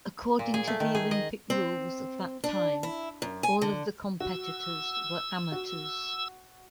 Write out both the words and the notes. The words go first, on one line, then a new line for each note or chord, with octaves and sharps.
According to the Olympic rules of that time, all of the competitors were amateurs.
A#2
G#4
A3
D#3
G#4
D#5
C4
D4
E4
F#2
G#5
D3
F#4 E6
F#4